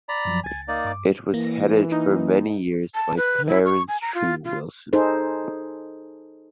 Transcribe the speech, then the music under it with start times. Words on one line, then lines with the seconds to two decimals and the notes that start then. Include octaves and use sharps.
It was headed for many years by Clarence True Wilson.
0.09 D5 A#5 B5
0.25 F#2 F3 F#3
0.44 C#2 G#5 A6
0.68 A#3 D#4 D5
0.85 G2 D6
1.34 E3 A#3 A#6
1.92 D#4
2.95 A5
3.17 B4
3.48 E4
3.66 C#6
3.88 G#5
4.02 A#5
4.14 F4
4.45 F4
4.93 D#4 G#4 A4 C5